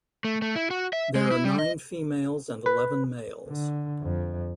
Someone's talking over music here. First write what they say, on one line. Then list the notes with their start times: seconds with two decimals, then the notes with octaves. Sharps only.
There are nine females and eleven males.
0.25 A3
0.42 A3
0.56 E4
0.71 F#4
0.93 E5
1.15 G#3
1.31 E4
1.45 G3
1.59 D#5
2.66 B4
3.48 D3
4.02 F2